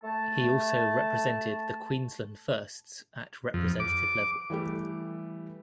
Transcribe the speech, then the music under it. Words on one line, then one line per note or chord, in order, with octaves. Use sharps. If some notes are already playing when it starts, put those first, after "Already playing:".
He also represented the Queensland Firsts at representative level.
A3 A5
F2
D6
E3 G3 A3 G4